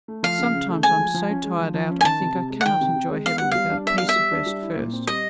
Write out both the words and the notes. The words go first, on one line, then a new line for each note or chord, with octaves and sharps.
Sometimes I'm so tired out I think I cannot enjoy heaven without a piece of rest first.
A3
F3 F5
C#3
C#3
A3
G#3 G#5
F3
F3
C#4
G#3
F3
F3
C#4
G#5
D#3 A5
C3
C3
G#3
F#5
D#3 G5
C3
C3
G#3
B3 F5
G3 F#5
G3 F5
D4
B3 E5
G3 F5
E5
G3
D4
G3
E4
A#2
C4
G3 D#5